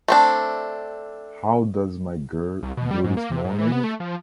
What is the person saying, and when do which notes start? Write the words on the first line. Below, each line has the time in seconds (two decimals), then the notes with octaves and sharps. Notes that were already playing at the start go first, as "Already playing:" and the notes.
How does my girl do this morning?
0.08 A3 C4 D4
2.63 C2
2.77 B2
2.91 G3
3.04 G#2
3.17 A#3
3.31 C3
3.44 G#2
3.59 E3
3.72 B3
3.84 A3
4.00 F3